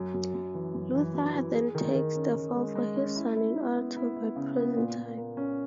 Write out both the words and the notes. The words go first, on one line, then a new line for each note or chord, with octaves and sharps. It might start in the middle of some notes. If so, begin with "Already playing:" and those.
Luther then takes the fall for his son in order to avoid prison time.
Already playing: F#2
F#2
F#2
E3
F#2
E3
F#2
E3
G#4
D#3
D#3
C#4
D#3
G#3
G#3
C#4
E4
E4
E4
B3
E4
E4
C#3
B3
A#2
A#2
A#3
C#4